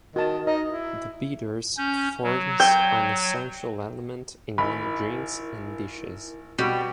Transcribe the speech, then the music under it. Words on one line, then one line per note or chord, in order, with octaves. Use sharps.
The bitters forms an essential element in many drinks and dishes.
D#3 F#4 A5
D#4 D#5
E4
C#4 G6
F#3
G5
G#1 E4 A#4 B5
B2 G3 C#6 D6